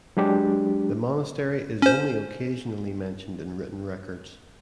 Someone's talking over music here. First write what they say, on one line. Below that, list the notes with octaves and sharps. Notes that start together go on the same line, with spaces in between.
The monastery is only occasionally mentioned in written records.
F#3 G#3 D4 G4
C#4 C5